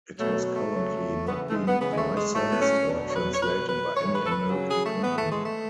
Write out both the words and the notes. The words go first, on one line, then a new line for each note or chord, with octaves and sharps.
It has currently not been licensed or translated by any American company.
B2 F#3 A3
A3
C#3 F#3
C#3 E3 B3
A3
G#3
B3
C#3 E3 B3
G#3
A3
G#3
A2 F#3 A3
B3
C#4
B2 F#3 D4
C#5
B4
C#5
B2 F#3 B4
B4
A2 E3 C#5
B4
A4
B4
C#3 F#3
G#4
A3
A2 E3 B3
A3
G#3
A3